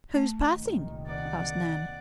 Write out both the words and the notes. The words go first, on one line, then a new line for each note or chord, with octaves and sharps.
"Who is passing?" asked Nan.
A3
C2 A#2 D#3
D5 F#5